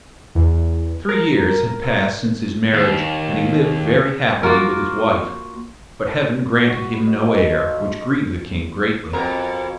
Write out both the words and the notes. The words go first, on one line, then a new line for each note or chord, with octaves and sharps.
Three years had passed since his marriage, and he lived very happily with his wife, but Heaven granted him no heir, which grieved the King greatly.
E2
A#4
D#2
A#3 F4 F#4 A#4
F#4
F#5
B4
D#5
D#4
A4
C5
F4
E5
F2 B2 A#4